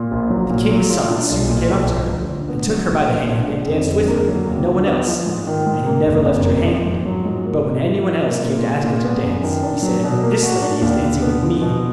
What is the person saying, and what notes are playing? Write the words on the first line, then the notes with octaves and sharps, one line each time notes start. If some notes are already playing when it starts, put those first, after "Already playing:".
The king's son soon came up to her, and took her by the hand and danced with her, and no one else: and he never left her hand; but when anyone else came to ask her to dance, he said, 'This lady is dancing with me.'
Already playing: A#2
A#1
F#3
A#2
F#3
F4
D4
B1
A#2
B1
F3
D2
D3
B3
F#3
A#1
A#2
D4
G#3
F2
D3
A#3
F#3
D#2
D3
B3
F3
G#2
D#3
G#2
A#3
F#1
F2
A#3
F3
G#2
F#3
G#2
A#3
G#2
F3
F4
A#3
A#2
G#3
A#2
B3
F#2
D#3
D4
F#3
B2
A#3
F#4
D4
D#2
D3
B3
F3
B2